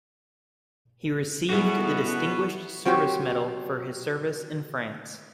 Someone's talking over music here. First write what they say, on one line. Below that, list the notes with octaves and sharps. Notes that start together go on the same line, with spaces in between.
He received the Distinguished Service Medal for his service in France.
F#3 G3 B3 E4 F#4 G#4 A4
F#3 C4 F#4 G4 C#5